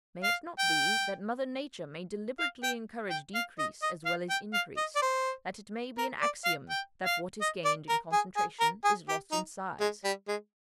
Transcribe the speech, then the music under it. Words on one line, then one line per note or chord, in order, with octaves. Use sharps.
May it not be that Mother Nature may deliberately encourage decrease as well as increase--that it may be an axiom that what is gained in concentration is lost in size?
F5
G5
F5
G5
G5
F5
D#5
D#5
F5
G5
F5
D#5
D5
C5
A#4
D5
F5
G5
F5
D#5
D5
A#4
G#4
G#4
A#4
G#4
G4
D#4
G#3
G3
G#3